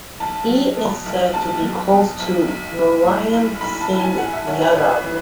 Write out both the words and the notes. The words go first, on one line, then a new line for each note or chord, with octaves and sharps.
He is said to be close to Mulayam Singh Yadav.
B1 A5
F#3
B2
B1
B1 A5
F#3
B2
B1
B1
E3
A2
B1
B1 B5
A5
E3
G#5
A2 F#5
E5
B1 C#5
B4
A1 C#5
B4
E3